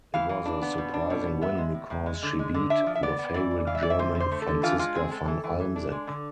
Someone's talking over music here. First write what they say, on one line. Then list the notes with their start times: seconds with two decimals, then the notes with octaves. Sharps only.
It was a surprising win because she beat the favorite German Franziska van Almsick.
0.14 E3 F5
0.29 E3
0.46 D4
0.62 B3
0.78 B2
0.94 D4
1.10 B2
1.26 B3
1.41 B3 E5
1.58 G#3
1.74 A2
1.90 A2
2.06 G#3
2.23 D3
2.39 G#3
2.54 D3
2.70 D4 E5
2.86 F3
2.95 E5
3.03 B3 D5
3.19 B3
3.34 E3 D5
3.51 D4
3.67 E3 F5
3.75 E5
3.83 E3 D5
3.90 E5
3.99 D3 C5
4.15 D3
4.20 C5
4.32 A3
4.42 A4
4.47 D3
4.63 E3 F4
4.79 G#3 F4
4.95 C4 G#4
5.11 G#3 A4
5.28 E3
5.44 E3
5.60 E3
5.76 D4
5.92 G#3
6.07 D3